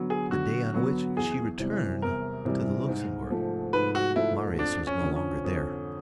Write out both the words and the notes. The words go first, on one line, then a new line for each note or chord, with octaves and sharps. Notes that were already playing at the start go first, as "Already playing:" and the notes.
The day on which she returned to the Luxembourg, Marius was no longer there.
Already playing: D3 F#3 B3
G#4
D3 F#4
F#3 B3
E2 G#4
C3 E3 G3
E2 A#4
C3 E3 G3
G#2
F3 A3
G#2 B4
F#4
F3 A3 E4
F2 D4
C#4
D3 F3
C#4
F2